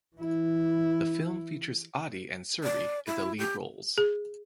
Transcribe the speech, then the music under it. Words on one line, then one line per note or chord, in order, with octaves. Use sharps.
The film features Aadi and Surbhi in the lead roles.
E3 E4
D5
E4
G4
G#4